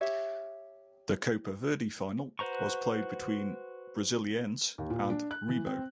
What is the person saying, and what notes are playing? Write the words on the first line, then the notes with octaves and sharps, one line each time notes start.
The Copa Verde final was played between Brasiliense and Remo.
G4 C#5 E5
F#4 B4 C5 A#5 C#6
D#2
A#2
D4
F#6
E3
C4